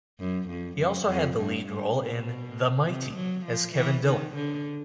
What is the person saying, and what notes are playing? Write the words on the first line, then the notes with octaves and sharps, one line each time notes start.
He also had the lead role in "The Mighty" as Kevin Dillon.
F#2
F2
F#2
F2
G2
G2
B2
C3
F#3
F3
E3
D#3
D3